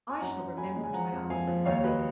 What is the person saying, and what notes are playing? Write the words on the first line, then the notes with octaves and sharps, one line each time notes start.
'I shall remember it,' I answered, smiling.
G#5
F#2 F#5 A#5
F#2
F#2 G#5 B5
G#3
G#5
F3 F#5 A#5
F2
F3 F5 G#5
F3
D#2 C#5 F5
F#3 B4 D#5